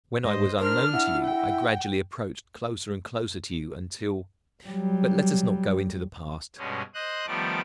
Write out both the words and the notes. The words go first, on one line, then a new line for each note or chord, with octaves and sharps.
When I was unknown to you, I gradually approached closer and closer to you until--but let us not go into the past.
G#2 C5 D#5
D4 A#4 C5 F6
E4 F#5
G5
F#3 G3
G2 B2 G#3 C#4
C5 D#5 D#6 F#6
D#3 F3 G3 A3 B3 D6